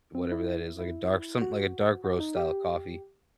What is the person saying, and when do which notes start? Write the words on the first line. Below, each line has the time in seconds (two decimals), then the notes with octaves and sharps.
whatever that is, like, a dark something like a dark roast style coffee.
0.15 C4
0.32 E4
0.79 E4
1.41 F#4
2.04 F#4
2.20 D#4
2.36 G4